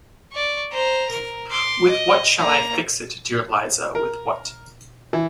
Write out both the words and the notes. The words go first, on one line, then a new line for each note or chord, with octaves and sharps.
With what shall I fix it, dear Liza, with what?
D5 C#6
C5 A#5
A#4
C6 D6
D#5
A#3 A#5
A#4
E3